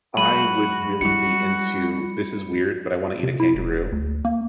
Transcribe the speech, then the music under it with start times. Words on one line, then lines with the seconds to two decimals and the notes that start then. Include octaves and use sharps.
I would really be into this is weird, but I wanna eat a kangaroo.
0.17 F#3 G#3 F#4 B5 D#7 F#7
1.01 G3 E4 F#4 C#7
3.23 C3
3.40 E4
3.55 E1
3.92 D2
4.25 A#3